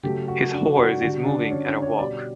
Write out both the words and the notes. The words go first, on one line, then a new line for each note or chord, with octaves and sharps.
His horse is moving at a walk.
C#3 F#3 A3 G4
F#4
D4
F#4
D3 G3 F#4
D4
C#4
D4
C#5
B2 G3 D5